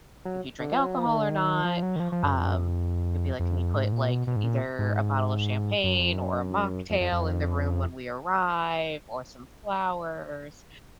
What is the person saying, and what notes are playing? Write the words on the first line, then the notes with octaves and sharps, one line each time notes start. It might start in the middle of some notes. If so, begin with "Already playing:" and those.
if you drink alcohol or not. Um, it'd be like, "Can you put like either a bottle of champagne or a mocktail in the room when we arrive or some flowers?"
F#3
D3
F3
F#3
F3
D#3
D3
D#3
F3
F#3
D#3
F3
F3
F#2
F2
F#2
F2
F2
G#2
A#2
B2
B2
G#2
A#2
G#2
F#2
F2
F#2
F2
F2
F2